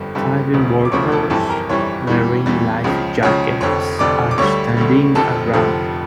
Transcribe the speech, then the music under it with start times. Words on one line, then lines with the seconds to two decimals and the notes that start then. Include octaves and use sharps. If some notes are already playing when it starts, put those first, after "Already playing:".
Five workers wearing life jackets are standing around.
Already playing: G1 F2 D3 G3
0.15 G1 F2 D3 G3
0.54 E1 D2 C#3 F3
0.85 D6
0.91 E1 D2 C#3 F3 C#5 C#6
1.12 A4 A5
1.30 G1 F2 E3 G3 A4 A5
1.49 A#4 A#5
1.69 G1 F2 E3 G3 C#5 C#6
2.07 E2 E3 G3
2.46 E2 E3 G3
2.84 C#2 C#3 F3
3.23 C#2 C#3 F3 C#5 C#6
3.61 F1 F2 D3 C#5 C#6
3.99 F1 F2 D3 D5 D6
4.31 D6
4.38 D2 D3 G3 C#5 C#6
4.77 D2 D3 G3
5.15 F1 F2 D3 F3 A4 A5
5.54 F1 F2 D3 F3